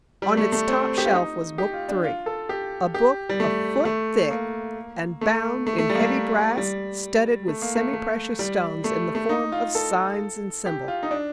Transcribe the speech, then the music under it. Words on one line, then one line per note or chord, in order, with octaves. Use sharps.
On its top shelf was Book Three, a book a foot thick and bound in heavy brass studded with semi-precious stones in the form of signs and symbols.
G3
A3
A3
C4
G4
F4
D#4
G4
F4
D4
F4
A4
G4
G4
G3
A3
A3
A#3
A3
A3
A3
G3
A#3
A3
G3
A3
A#3
A3
A3
G3
A3
A3
D#4
F4
A4
G4
F4
D#4
D4